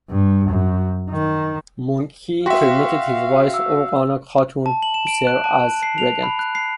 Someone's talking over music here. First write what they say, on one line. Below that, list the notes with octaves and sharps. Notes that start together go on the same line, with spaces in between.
Mongke permitted his wife Orghana Khatun to serve as regent.
G2
F#2
D#3
F#4 E5 F5 G5 C6 B6
E6
A5
F#7
E7
D7
F#6
A5
C7
F7
B5
F#6
C7